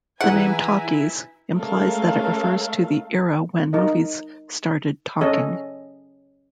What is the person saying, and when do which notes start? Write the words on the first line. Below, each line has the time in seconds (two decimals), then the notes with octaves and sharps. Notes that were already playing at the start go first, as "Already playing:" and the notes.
The name talkies implies that it refers to the era when movies started talking.
0.21 E3 E4 G#4 B4 F#5 G#5 A#5
1.55 G#3 A3 C#4 A4 A#4 F5
3.73 D#4 A#4 D#5
5.21 C#4 A4 D#5